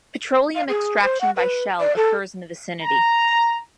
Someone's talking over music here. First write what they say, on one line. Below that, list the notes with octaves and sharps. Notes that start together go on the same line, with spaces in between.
Petroleum extraction by Shell occurs in the vicinity.
F5
G#4
C5
F#5
B4
D5
A4
A#5